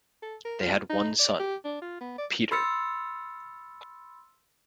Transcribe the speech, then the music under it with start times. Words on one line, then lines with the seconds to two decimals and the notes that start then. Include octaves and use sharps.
They had one son, Peter.
0.22 A4
0.45 A#4
0.60 F4
0.90 D#4
1.19 D5
1.40 G4
1.65 D4
1.82 F4
2.01 B3
2.18 D5
2.51 B5 C6 E6 F6 A6 C#7